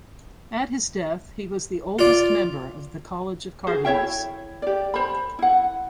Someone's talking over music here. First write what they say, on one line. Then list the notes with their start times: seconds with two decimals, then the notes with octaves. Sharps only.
At his death he was the oldest member of the College of Cardinals.
1.99 F4 D5
3.67 F#4 G#4 C5
3.85 E4 C#5 E5 G5
4.62 G4 D5
4.94 C5 B5
5.39 E4 F#5